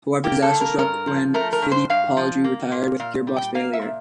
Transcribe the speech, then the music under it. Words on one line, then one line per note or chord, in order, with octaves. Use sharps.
However disaster struck when Fittipaldi retired with gearbox failure.
A#3 G4
A4
G2
A#4
G2 A#4
F3
A3 A#4
A#4
G2
C5
G2 F5
F3
A#3
A#2
A#2 F5
G3
G5
A#3 F5
E5
A#2